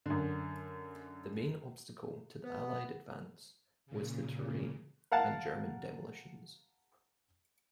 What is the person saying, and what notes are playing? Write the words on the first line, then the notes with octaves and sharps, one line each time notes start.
The main obstacle to the Allied advance was the terrain and German demolitions.
F#2 D3
B3
A#2 C#3
A#4 F5 F#5 A5